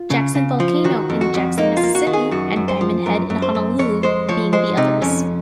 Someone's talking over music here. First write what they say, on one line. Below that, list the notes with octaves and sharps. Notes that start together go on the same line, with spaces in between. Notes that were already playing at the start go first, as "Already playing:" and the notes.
Jackson Volcano in Jackson, Mississippi and Diamond Head in Honolulu being the others.
Already playing: F4
C#3
C#3
F3
D#3 F#4
F2
F#4
F2
A#3 D#4
F4
A#3
F#4
D#3
G#4
F#2 F#4
F#2
C5
F3
F#2 A#4
F#2
C5
F#2
F2 C#5
G#3 C5
F3 C#5
G#3 C5
C3 D#4
F2 C#4